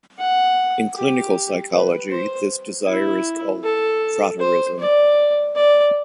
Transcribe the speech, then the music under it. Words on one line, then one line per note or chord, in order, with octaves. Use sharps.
In clinical psychology, this desire is called frotteurism.
F#5
G4
B4
C5
E4
A4
C5
D5
D5